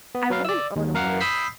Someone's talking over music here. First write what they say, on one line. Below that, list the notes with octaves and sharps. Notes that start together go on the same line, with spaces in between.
I wouldn't own a horse,
B3
F#3 B4 F5
D5 E6
D#2
F#2 A#4 F5 F#5 F6
B5 D#6 E6 G6 B6 C7